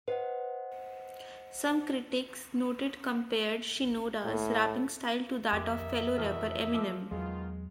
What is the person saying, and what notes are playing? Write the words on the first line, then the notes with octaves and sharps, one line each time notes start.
Some critics noted compared Shinoda's rapping style to that of fellow rapper Eminem.
B4 C5 D#5 F5 F#5
A2
F2 G4 A#4 D#5 E5 D6
E2 B2 F6
F3 D6 E6
E2 B2 D#3 F#3 G#3 F4